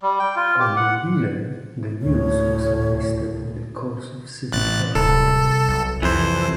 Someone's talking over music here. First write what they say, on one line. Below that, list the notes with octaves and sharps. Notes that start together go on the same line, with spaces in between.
Under Dealey, the News was enlisted in the cause of civic planning.
G3
G5
F4
G4
F#5
D2 A2 C#5
A1 F#6 A6
D1 C2 A4
B1
C2 F2 E3 C5